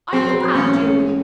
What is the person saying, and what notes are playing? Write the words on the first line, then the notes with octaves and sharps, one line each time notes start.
"I command you!"
F#3 C4
F#3
A1 C#4
A1
G#3